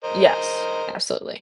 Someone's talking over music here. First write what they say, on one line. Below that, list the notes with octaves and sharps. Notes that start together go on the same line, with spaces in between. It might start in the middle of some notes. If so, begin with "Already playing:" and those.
Yes, absolutely.
A#4 C5 D#5